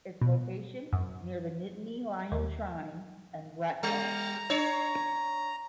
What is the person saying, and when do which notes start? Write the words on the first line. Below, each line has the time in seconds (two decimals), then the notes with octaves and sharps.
Its location near the Nittany Lion Shrine and Rec Hall.
0.21 B2
0.93 F#2
2.32 D#2
3.83 G3 A#5
4.50 D4 C#5